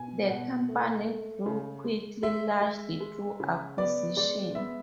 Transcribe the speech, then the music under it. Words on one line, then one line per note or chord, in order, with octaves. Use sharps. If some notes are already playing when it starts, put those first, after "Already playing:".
The company grew quickly, largely through acquisition.
Already playing: B2 G#5
B2 F#5
A3
A3
C#3
G#3
G#3 E5
G#3
G#3
C#3
B3 D5
G#3 D5
B3 E5